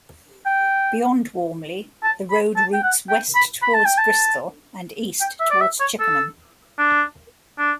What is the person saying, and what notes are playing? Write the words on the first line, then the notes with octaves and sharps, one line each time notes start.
Beyond Warmley the road routes west towards Bristol and east towards Chippenham.
G5
A5
B5
A5
G5
F#5
G5
B5
B5
A5
G5
A5
G5
E5
D5
E5
C#5
A4
D4
D4